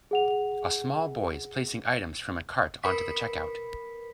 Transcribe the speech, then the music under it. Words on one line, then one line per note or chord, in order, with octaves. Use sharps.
A small boy is placing items from a cart onto the check out.
G#4 F#5 F7
A#4 B4 B5 B6